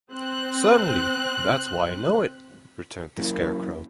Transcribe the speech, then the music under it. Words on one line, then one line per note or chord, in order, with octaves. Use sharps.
"Certainly; that is why I know it," returned the Scarecrow.
C4 F#6
F#2 E3 A#3